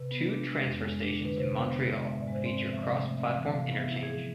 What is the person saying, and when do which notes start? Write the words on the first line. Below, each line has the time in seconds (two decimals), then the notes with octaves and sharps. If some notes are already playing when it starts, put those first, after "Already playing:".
Two transfer stations in Montreal feature cross-platform interchange.
Already playing: C3 B4
0.11 B3
0.29 D4
0.46 G#3
0.64 F2
0.83 G#3
1.01 D4
1.19 D3
1.25 B4
1.37 C3 C5
1.55 B3
1.73 C3
1.91 G#3
2.09 G#2 E5
2.21 D5
2.27 G#3 C5
2.43 C4 D5
2.64 F3
2.73 E5
2.82 C3 D5
3.00 A3
3.17 C4 E5
3.37 E3
3.54 C3 F5
3.72 B3
3.78 E5
3.90 E4
4.03 G#4
4.08 F3